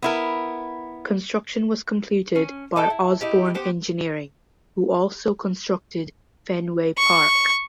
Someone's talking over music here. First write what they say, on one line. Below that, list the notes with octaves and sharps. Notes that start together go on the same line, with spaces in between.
Construction was completed by Osborn Engineering, who also constructed Fenway Park.
B3 E4 A#4
C#4
D#4 A4 G5
E4
D#4 E4 G4
B3 G4 C5
C#6